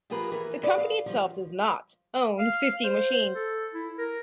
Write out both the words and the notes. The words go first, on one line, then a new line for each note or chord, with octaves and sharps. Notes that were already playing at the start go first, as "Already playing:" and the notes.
The company itself does "not" own fifty machines.
F3 A#3 G4 G#4 A#4 B4
E3 A#4
G#4 B4 D5
F5
D#3 F3 G3
F5
C5
A4
E4
A#4